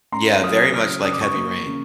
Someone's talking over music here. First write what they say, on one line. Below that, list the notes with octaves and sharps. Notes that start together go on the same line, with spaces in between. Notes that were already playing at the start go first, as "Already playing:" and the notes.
Yeah, very much like Heavy Rain.
C#4 A#5 C6
F#3 D#6 F6
C#3 D#6 F6
F#3 D#6
D6
C#6 D#6
A#3
C#3